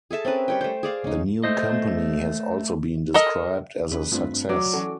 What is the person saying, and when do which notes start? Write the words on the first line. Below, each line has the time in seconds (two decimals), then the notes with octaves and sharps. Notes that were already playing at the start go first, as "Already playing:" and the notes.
The new company has also been described as a success.
0.11 G#4 A4 E5 A5
0.25 C4 C#4 A#4 B4
0.48 G3 C#5 G5
0.61 A3 C5
0.83 G#4 D5 F5
1.04 C#4 D#4
1.44 A3 C5 D#5
3.14 A4 A#4 D#5
3.91 E2 C#4 G#4 B4
4.12 G2 A3 C4 D4 F4
4.49 F#3 D5
4.74 E3 C#4 F#4 A4